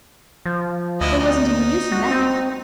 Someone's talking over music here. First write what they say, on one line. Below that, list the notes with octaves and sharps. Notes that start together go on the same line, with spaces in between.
There wasn't any use in that.
F3
D2 F3 E4 D#5
D#4
F#4
C4